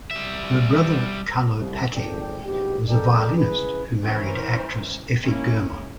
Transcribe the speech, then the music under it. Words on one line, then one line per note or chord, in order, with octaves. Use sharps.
Her brother Carlo Patti was a violinist who married actress Effie Germon.
G3 E5
C2
G#1 F2 A#2 A4 D5 G5
A#1 G#2 B2 G4
F2 G#3 A4 A#4 D5 G5
C#3 E4 G#4 B4
E3 C#4 A#4 C5
G#3 A#3 C#4 E4